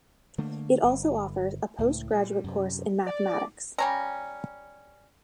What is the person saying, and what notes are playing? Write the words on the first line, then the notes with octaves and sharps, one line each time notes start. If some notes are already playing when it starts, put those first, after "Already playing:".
It also offers a post-graduate course in Mathematics.
D3 A3 A#3
G1
C#2 A2
A#2 G3
F#2 C3
D5
G3 C#4 A#5